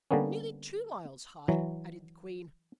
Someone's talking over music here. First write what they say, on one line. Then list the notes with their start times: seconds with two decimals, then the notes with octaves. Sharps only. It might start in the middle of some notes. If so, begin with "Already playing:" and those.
'Nearly two miles high,' added the Queen.
0.11 D3 G3 A#3 B3 C#4
1.48 E3 F#3